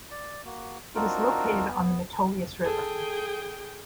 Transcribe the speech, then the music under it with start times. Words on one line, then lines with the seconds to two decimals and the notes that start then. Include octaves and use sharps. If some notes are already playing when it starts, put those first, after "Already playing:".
It is located on the Metolius River.
0.11 D5
0.45 A#3 F#4
0.95 C4 D4 D#4 F4 F#4 A#4
1.67 B3
2.65 G#4 A4 G5